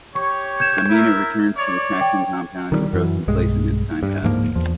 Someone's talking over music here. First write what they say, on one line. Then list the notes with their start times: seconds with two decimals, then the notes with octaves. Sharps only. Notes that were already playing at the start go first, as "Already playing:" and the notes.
Amina returns to the taxing compound and grows complacent as time passes.
0.15 G4 C#5 C#6
0.60 G6 G#6 E7
0.89 E4 A#4 E5
1.57 C#5 D5
2.01 G5
2.72 D#3 E3 G3
2.93 F#2 E3
3.28 B1 G2 G#3
4.03 G2
4.23 D1 G#2 F3 A#3
4.56 E2 F3